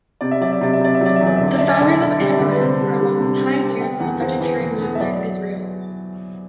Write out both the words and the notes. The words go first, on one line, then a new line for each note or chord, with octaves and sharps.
The founders of Amirim were among the pioneers of the vegetarian movement in Israel.
C3 D5
E5
F#3 D5
E5
C3 D5
E5
C3 D5
E5
F#3
D5
E2 E5
D5
D3 E5
D5
D4 E5
D5
D3 E5
D5
D3 E5
D5
G3 E5
D5
D3
B4
C3 C5
G3
G3
C3
C4
C3
B3 G5
E2 F#5
E2 C5
E2 B4
E3
B3
E5
F#3 D5